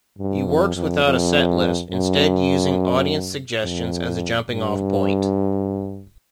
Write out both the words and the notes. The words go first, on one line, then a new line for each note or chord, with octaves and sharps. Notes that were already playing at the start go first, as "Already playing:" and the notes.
He works without a set list, instead using audience suggestions as a jumping-off point.
G2
F2
F2
F2
F#2
F2
G2